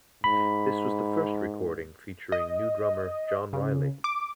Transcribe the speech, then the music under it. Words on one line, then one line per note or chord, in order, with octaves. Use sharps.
This was the first recording featuring new drummer Jon Reilly.
G#2 B5
D#5
C#3
D6